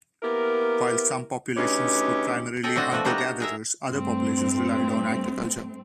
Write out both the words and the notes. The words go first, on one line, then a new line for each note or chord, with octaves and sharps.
While some populations were primarily Hunter-gatherers, other populations relied on agriculture.
A#3 B3 E4 G4 A#4
D2 C#4 D#4 G4 B4 C#5
A4 D#5 G5 G#5
A3 C4 D4 F#4 D#5 F#5
E3 F3 A3 F#4
D4 D#4 F#4 G4 A#4 B4
A#5
G#4 A#4 E5
G2 A3 C4